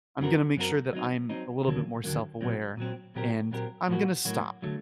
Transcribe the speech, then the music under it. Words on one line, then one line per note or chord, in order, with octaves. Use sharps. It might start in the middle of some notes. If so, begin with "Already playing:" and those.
I'm gonna make sure that I'm a little bit more self-aware, and I'm gonna stop.
F#2 F#3 C4 F#4 A#4
F#2 F#3 C4 F#4 A#4
F#3 C4 D#4
F#3 C4 D#4
D#2 D3 F#3 A#3
D#2 D3 F#3 A#3
A#2 F#3 C4
A#2 F#3 C4
A#2 F#3 C4 G4 A#4
A#2 F#3 C4 G4 A#4
A2 F#3 A#3 F#4
A2 F#3 A#3 F#4
D3 F#3 A3